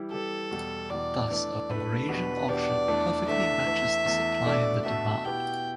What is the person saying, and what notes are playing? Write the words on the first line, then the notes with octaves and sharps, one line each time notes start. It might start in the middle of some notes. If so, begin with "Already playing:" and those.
Thus, a Walrasian auction perfectly matches the supply and the demand.
Already playing: E3 G3 E4 G4
E3 G3 E4 G4 A4
E2 B2 G3
E2 B2 G3 D5
E3 A3 D4 D5
E3 A3 D4 B4
E2 B2 B3 D4 G4
E2 B2 B3 D4 G4 D5
E2 E3 A3 D4 A4
E2 E3 A3 D4 A4 E5
E2 E3 A3
E2 E3 A3
B2 A3 D4 A4 D5
B2 A3 D4 A4 E5
B2 B3 E4 G4 G5